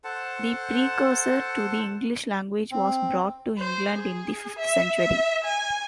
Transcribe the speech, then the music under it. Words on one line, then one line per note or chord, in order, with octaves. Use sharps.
The precursor to the English language was brought to England in the fifth century.
A4 C5 F#5 A5
C4
C5
G#4
E5
E5
G#5